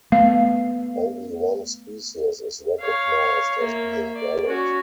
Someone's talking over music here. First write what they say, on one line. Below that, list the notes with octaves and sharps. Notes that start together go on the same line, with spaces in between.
Only one species is recognized as being valid.
A3 B3 F5
C#5 F5
A#3 E5
D5
C#4 F#4